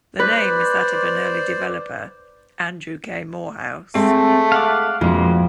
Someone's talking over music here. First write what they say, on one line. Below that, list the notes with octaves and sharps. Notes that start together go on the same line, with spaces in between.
The name is that of an early developer, Andrew K. Morehouse.
B4 C5 D5
G#3 A3 C4
F5 F#5 D6
F2 B2 G#3 A#3 C4 E4